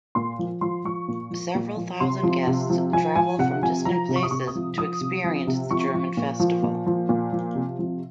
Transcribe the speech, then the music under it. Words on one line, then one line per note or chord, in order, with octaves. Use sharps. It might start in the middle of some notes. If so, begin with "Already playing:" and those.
Several thousand guests travel from distant places to experience the German festival.
A#2 C6
F3
F3 C6
F3 C#6
A#2
F3
A#2
F3
C3 C6
F3
C3
F3
F3 G#5
F3 G#5
C3 F#5
F3 G#5
F3 A#5
C3
C#6
D#6
C3 C#6
D#6
F3
F3 D#6
C3
F3
C3
F3 C#6
F3
A#2
F3
A#2
F3
A#2
F3
C3
F3